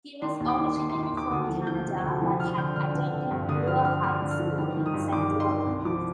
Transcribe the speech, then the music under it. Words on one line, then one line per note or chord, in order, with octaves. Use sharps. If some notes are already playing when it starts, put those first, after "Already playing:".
He was originally from Canada but had attended Hoover High School in San Diego.
D#3 C6
D#2
D6
D#3
D#2 C6
C6
D#3
C6
D#2 D6
D2 D#6
F3
F3 G6
C3
D2
F3
F3 F6
D3 G6
D3 F6
D3
D3
G2
D3 D#6
F3 F6
D3 F6
D3 F6
D3
F6
F3
D#3 F6
D#3
D#6
G2
D#3 D6
G2
C6
D#3
C2
F3 D6